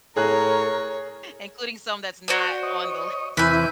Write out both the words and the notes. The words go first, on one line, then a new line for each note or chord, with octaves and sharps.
including some that's not on the list.
A2 G#4 A#4 C#5 A#5 F#6
F#4 C5 D5
C#5 D#5
E2 C3 E3 E4 B4 G#5 G6